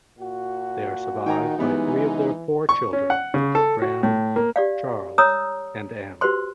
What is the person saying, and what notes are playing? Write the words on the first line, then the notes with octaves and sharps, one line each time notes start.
They are survived by three of their four children, Graham, Charles, and Ann.
A#2 F#4
D#3 D#4 G5 G#5 A#5
F#2 E3 G3 G#3 B3
C#6
C#4
F#5
C#3
A4
F#4
A2
A#3
G4 D5 F5
C#5 A#5 D#6 E6
F#4 G4 B4 C5 C6